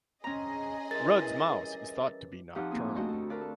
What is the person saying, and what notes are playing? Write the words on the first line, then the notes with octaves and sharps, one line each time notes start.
Rudd's Mouse is thought to be nocturnal.
C4 C#4 G#4 D#5 A#5
G2 E3 A#4 C6 A6
F2 F3 D#4 G4 F5 F#5
A#2 A#3 C4 G#4
A3 D4 F#4 C5 D#5 F#5
D2 A4
F#4 A#4 B4 D5 F5
A4